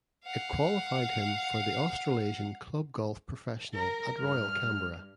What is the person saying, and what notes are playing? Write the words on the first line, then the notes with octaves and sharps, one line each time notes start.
It qualified him for the Australasian Club Golf Professional at Royal Canberra.
F5 F#5
A#4
G2 F6